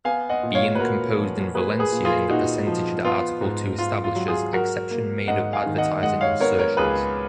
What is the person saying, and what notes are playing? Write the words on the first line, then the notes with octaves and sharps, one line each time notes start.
Being composed in Valencian in the percentage that article two establishes, exception made of advertising insertions.
B3 F5 G#5
D#5 F#5
A#2
C#5 F5
B4
A#2 F#4 A#4
F3
A#3 G#4 B4
G#4 B4
A#2
F4 G#4
A#2 D#4 F#4
F3
B3 F4
G#2
G#2 F4
F4
F#3
F4 G#4
F#3 F#4 A#4
A#3
G#2 D#5 F#5
F5 G#5
D#3
D#5 F#5
G#3 D#5 F#5
C#5 F5
B3 A#4 C#5
A#4 C#5
C#2 G#4 B4